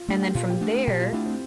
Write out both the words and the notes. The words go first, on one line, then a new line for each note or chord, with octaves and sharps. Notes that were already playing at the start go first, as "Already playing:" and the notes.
and then from there,
Already playing: F4
A3 D4
G4
A#2 F4
G4
A3 D4
A#2 G4
F4
A3 D4 E4
C4